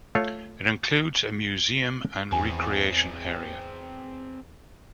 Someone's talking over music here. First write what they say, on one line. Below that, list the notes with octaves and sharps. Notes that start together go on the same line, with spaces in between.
It includes a museum and recreation area.
A3 F4 C#5
E2 C4 G#4 G#5